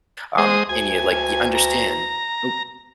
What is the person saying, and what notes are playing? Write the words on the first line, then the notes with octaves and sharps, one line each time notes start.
um, and you, like you understand. O
G#3 C5 D#6
D2 G#5
A#5